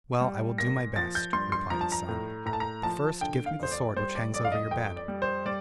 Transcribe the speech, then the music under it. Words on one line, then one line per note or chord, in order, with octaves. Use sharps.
'Well, I will do my best,' replied his son; 'but first give me the sword which hangs over your bed!'
G3
A#2 A#6
F3 A6
G6
G2 C6
C6
F3 A#5
A5
A#5
A2
A2 A#5
A5
A#5
F3 A5
D3 G5
F5
F2 C5
D5
G3 C5
D5
F2 D5
F5
D#5
F2 G5
D5
G3
C5
G3 D5